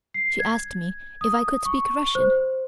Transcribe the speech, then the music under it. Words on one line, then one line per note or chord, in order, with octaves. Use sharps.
She asked me if I could speak Russian.
C7
G#6
D#6
C#6
C5